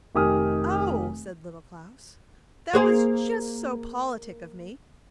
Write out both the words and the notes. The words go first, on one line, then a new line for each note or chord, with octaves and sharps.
'Oh!' said Little Klaus, 'that was just so politic of me.
F1 D#3 G4 G#5 D#6 F6
A#3 G#4 C5